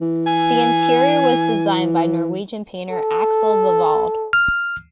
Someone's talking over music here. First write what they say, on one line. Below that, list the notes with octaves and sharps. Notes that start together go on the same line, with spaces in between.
The interior was designed by Norwegian painter Axel Revold.
E3
G#5
A4
F6